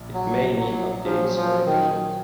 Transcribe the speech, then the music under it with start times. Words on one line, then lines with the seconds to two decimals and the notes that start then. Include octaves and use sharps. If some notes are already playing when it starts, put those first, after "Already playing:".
It may need updates or revisions.
Already playing: A#1 A#2 F3
0.14 F#3
0.59 F#3
1.04 A#2 F3 F#3 C#4 F4 G#4
1.35 F3
1.66 D#3